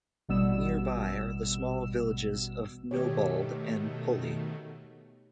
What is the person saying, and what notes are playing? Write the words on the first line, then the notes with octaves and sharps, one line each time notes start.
Nearby are the small villages of Nobold and Pulley.
A1 B2 G3 B3 E6 E7
B2 D#3 A3 G4 C#5